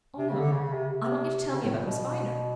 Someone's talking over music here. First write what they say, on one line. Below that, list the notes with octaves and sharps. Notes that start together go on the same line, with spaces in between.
"Oh, no. I want you to tell me about Miss Viner."
C3
C#3
D3
C#3
C#3
C3
C3
C3
C#3
A2
A#2
B2